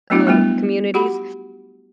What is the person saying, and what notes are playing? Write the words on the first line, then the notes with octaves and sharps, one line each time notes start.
um, communities,
F#3 A3 B3 D4 E4 F#4
G3 A3 B3 E4
F#4 G4 F#5 B5